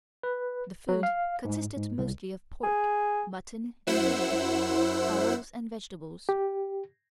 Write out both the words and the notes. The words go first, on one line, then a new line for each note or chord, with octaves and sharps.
The food consisted mostly of pork, mutton and game, fowls and vegetables.
B4
F#3
F5
G#2
G#2
C2
G#4
F#2 E4 C5 F#5 E6
G4